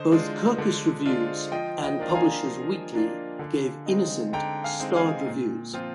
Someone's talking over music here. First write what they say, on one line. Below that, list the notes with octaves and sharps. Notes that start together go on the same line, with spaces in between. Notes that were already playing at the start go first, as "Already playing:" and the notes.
Both "Kirkus Reviews" and "Publishers Weekly" gave "Innocent" starred reviews.
Already playing: D3 C5 D#5
G#3 D4 F4
D3
G#3 D4 F4
F3 D#5 G5
D#5 G5
A#3 D4 F4
A#5
F5 G#5
F3
A#3 D4 F4
D3
G#3 C4 D#4
D3 G5 A#5
F5 G#5
G#3 C4 D#4
F5 G#5
A#2
F3 C4 F4